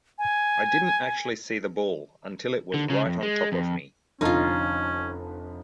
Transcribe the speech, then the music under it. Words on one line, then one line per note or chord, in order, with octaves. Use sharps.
I didn't actually see the ball until it was right on top of me.
G#5
D3
C#3
F2
G#3
F2
F1 D3 F3 C#4 D#4 F4